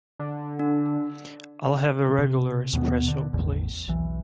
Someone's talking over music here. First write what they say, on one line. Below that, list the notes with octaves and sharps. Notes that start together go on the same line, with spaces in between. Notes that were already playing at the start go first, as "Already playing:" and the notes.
I'll have a regular Espresso please.
D3
D4
C3
D#2 B2 A#3 B3
D3
A1 E2
B1 E3